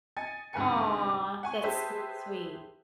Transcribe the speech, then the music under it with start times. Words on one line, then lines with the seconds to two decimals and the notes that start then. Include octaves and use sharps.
Aw, that's so sweet.
0.17 D#5 G#5 A6 C#7
0.53 D2 G#2 C3 B4 G#5 C#7
1.43 F#5 G#5 C#6
1.63 G4 G#4 B4 C5 E5 A5